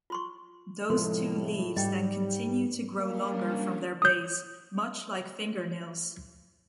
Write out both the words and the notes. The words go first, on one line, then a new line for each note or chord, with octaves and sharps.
Those two leaves then continue to grow longer from their base, much like fingernails.
F4 C6 C#6
A2 C3 F3 G#3 A4 C6
G#2 G3 D#5 G5
G3 A#3 C#4 D4
D#6 G6